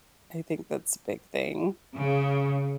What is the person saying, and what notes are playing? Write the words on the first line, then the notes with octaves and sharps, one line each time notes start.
I think that's a big thing.
C#3